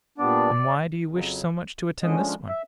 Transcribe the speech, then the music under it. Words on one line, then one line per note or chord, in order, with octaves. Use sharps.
"Then why do you wish so much to attend this one?"
A#2 G3 B3 D4 D5
F2 C#3 F#3
D3 F3 G#3 C#4 D#5
E5